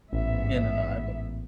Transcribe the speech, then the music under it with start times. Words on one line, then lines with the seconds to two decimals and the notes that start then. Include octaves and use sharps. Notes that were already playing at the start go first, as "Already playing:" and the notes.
Yeah, no, no, I've got
0.12 A1 G#2 B3 E5